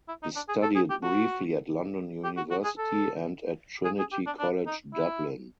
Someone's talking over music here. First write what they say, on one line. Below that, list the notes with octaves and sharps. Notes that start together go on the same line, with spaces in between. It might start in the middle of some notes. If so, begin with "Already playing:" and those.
He studied briefly at London University and at Trinity College Dublin.
E4
D#4
D4
G#4
A4
G#4
G4
F#4
G4
F#4
F#4
G#4
A4
G#4
G#4
G4
D4
D4
D#4
E4